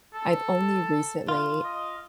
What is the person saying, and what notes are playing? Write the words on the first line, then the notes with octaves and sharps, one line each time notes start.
I've only recently
A4
F4
D#5